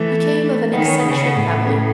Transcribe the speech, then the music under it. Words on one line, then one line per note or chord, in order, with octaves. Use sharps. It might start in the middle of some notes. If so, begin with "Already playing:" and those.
He came of an eccentric family.
Already playing: E3 A3
D#3 B3
C#4
B3
C#3
C#4
B3
A2
C#3